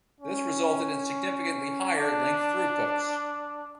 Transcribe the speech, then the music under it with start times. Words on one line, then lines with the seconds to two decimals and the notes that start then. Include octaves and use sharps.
This resulted in significantly higher link throughputs.
0.20 C#4
1.96 D4